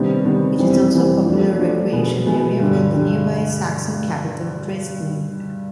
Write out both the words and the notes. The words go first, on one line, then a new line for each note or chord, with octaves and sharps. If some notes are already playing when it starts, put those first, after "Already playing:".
It is also a popular recreation area for the nearby Saxon capital Dresden.
Already playing: C3 D#3 G3 B3 D4
C3 D#3 G3 B3 D4
F2 C3 E3 G3
F2 C3 E3 G3
F3 A3 D4
F3 A3 D4
B2 G#3 B3
B2 G#3 B3
G2 D3 G3
D3 G3